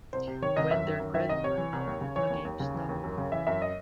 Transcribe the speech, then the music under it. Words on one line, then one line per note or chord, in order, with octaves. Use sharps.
When their credit ran out, the game stopped.
C2 C5
C3
D#3 C#5
C2 D#5
F#2 E5
D#3
F#2
D#3 E5
C2 D#5
C3 C#5
E3
C2
D#2
C#3
E3 C#5
D#2
D#2
C#3
E3
D#2
F#2
C#3
E3 E5
F#2 E5
D#5